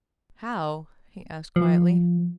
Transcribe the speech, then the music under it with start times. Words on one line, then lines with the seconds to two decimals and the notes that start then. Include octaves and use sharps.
"How?" he asked quietly.
1.56 F3